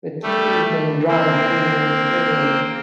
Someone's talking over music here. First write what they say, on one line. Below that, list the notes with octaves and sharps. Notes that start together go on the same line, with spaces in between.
The tibia is then drawn forward anteriorly.
G3 A3
A#3 C4